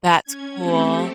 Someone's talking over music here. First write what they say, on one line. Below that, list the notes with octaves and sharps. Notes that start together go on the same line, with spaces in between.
That's cool.
C#4 G#6
A3 C4 G4 A4